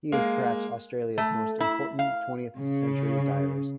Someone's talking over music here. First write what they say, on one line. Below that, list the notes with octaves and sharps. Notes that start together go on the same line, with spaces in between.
He is perhaps Australia's most important twentieth-century diarist.
G#3 A#3
A3
E4
F5
C#3